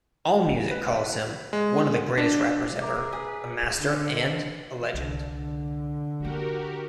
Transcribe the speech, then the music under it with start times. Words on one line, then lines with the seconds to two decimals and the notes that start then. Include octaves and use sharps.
Allmusic calls him "one of the greatest rappers ever", "a master", and "a legend".
0.71 B4
1.53 G#3
2.18 D4
2.82 G#4 A#4 E5 A#5 D6
3.13 G#4 B4
3.77 D3 A4
4.14 B4 C5 D#5
4.94 C2 D3
6.20 A#3 D4 F#4 G4 A#4